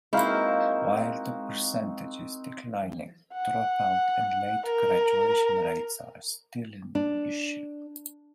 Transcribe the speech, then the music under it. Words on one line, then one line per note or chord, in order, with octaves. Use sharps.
While the percentage is declining, dropout and late graduation rates are still an issue.
G#3 A#3 C4 D#4 E4 F#4 F5
F#5
A#4
D4